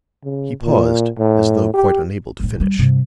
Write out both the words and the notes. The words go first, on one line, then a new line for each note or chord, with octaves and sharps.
He paused as though quite unable to finish.
C#3
A#2
A2
G4
G1 A2
G3
G2 C3